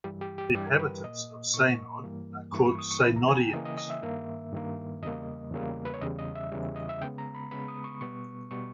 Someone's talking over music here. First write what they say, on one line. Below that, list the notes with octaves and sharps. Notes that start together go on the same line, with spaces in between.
The inhabitants of Seynod are called Seynodiens.
G2 E3 G3 G4
G4
G4
G2 E3 G3 G4
A#4
B4
A#2 A#3 D#5
A#2 A#3 C#6
G2 E3 G3 A#3
G2 E3 G3 A#3 C#6
C#6
D#6
C#6
C#3 E3 A#3 B5
A#5
G#5
G5
C#3 E3 A#3 D#5
D#5
D#5
E5
G2 D#3 A#3
G2 D#3 A#3
E2 C#3 G3 A#3 D#5
E2 C#3 G3 A#3
B4
C#5
E2 C#3 E3 G3 D#5
D#5
E5
E2 C#3 E3 G3
D#5
E5
C#3 G#3 B3 G5
A#5
B5
C#3 G#3 B3 B5
D#6
C#6
B2 G3 B3 C#6
B2 G3 B3 C#6